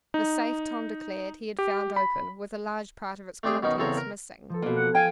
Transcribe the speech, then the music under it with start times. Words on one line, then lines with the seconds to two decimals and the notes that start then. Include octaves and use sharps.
The safe, Tom declared, he had found open, with a large part of its contents missing.
0.14 D#4
1.59 G4
1.96 B5
3.43 A3 C4 D4 G4 G#4
3.63 B2 D#3 C#4 D#4
3.78 E2 C#3 C4 A4 C#5 A#5
3.97 A#4
4.50 F3 A4
4.62 B2 A#3
4.76 F#5
4.95 F5 G5 G#5